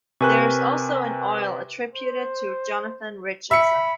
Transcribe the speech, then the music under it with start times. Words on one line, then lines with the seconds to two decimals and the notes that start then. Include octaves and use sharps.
There is also an oil attributed to Jonathan Richardson.
0.21 C3 A#4 B4 G#5 C#6 F#6
1.94 C5
3.51 E5 B5 C#7